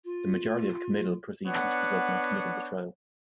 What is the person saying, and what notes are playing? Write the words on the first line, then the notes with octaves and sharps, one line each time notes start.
The majority of committal proceedings result in a committal to trial.
F4
B3 D4 C#5 F#5